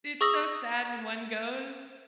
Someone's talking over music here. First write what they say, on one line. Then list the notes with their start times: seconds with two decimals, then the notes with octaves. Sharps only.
It's so sad when one goes,
0.21 G#4 C#6 D#6 E6 A#6 F#7